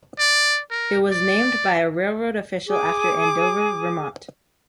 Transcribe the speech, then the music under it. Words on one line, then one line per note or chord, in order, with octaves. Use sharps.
It was named by a railroad official after Andover, Vermont.
D5
A#4
D5
G#4 D6